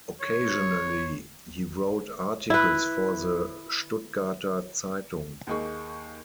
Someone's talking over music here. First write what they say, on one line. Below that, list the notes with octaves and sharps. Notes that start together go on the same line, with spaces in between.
Occasionally, he wrote articles for the "Stuttgarter Zeitung".
C#5
E4 B4
D#2 A#3 D#4 G#4 C#6